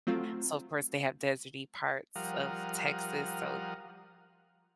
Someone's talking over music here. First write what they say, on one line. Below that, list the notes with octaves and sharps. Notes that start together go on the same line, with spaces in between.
So, of course, they have desert-y parts of Texas, so
F#3 A3 C4 F4
F3 G3 A#4 F5 F#5 D#6